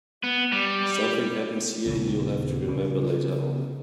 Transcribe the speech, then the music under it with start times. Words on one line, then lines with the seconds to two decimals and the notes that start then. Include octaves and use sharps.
Something happens here you'll have to remember later on.
0.24 B3
0.53 G3
1.86 D#1 C#3 F#3 B3
2.67 C#3